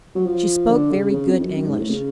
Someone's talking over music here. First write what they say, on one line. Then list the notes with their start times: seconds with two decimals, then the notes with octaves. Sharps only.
She spoke very good English.
0.15 F#3
0.26 F3
0.70 D3
0.91 C#3
1.14 C#3
1.28 F2
1.43 F#2
1.57 F#2
1.67 G#2
1.79 A2
1.90 C#3